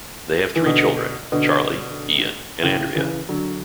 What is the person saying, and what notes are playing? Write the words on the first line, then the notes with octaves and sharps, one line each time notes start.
They have three children; Charlie, Ian and Andrea.
E3
B2 D3
B2 D3
A2 C#3
C#3 E3
D3 F#3